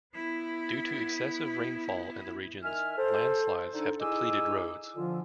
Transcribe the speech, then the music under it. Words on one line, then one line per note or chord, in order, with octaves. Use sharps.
Due to excessive rainfall in the regions, land slides have depleted roads.
B3 E4
D#3 E5 G#5 F6
A4 C5
D3 D4 D#4 A4
D#4 E4 G#4 G#5 D6 E6
D3 F3 F4